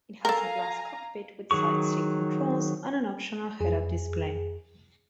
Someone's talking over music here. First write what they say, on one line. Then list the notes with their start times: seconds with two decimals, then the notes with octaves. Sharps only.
It has a glass cockpit with side-stick controls and an optional Head-up display.
0.25 A4 A#4 F5 G#5 A#5
1.51 D#3 F#3 G#4 C#6
3.60 F2 G#4